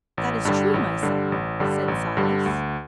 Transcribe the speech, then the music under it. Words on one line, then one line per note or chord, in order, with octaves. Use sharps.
"That is true, my son," said Silas.
A1
G2 D3 G3
A1
G2 D3 G3
A1
G2 D3 G3
A1
G2 D3 G3
D2